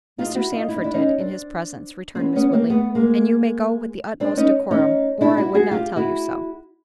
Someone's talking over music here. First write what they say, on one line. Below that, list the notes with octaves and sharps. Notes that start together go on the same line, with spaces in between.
"Mr. Sandford did, in his presence," returned Miss Woodley, "and you may go with the utmost decorum, or I would not tell you so."
D#4 F4
F4
E4 F#4
D#4 F4
E4
D#4
D4 E4
C#4 D#4
C4 D4
C4
B3 C#4
B3 C#4
A#3 C4
A3 B3
G#3 A#3
C4 D4
C#4 D#4
C#4 D#4
D4 E4
E4 F#4
F#4 G#4
F4 G4
E4 F#4